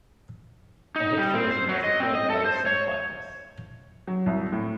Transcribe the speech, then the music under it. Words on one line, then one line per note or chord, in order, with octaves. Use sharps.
A hit version was recorded by The Sandpipers.
D#4
G3
C4
C5
F#3
D#5
C4
D#5
A4
C5
C#5
F#3
C2
A2